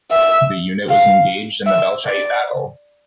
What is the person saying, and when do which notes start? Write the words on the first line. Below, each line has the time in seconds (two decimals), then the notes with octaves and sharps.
The unit was engaged in the Belchite battle.
0.11 E5
0.89 F5
1.66 E5
2.05 D5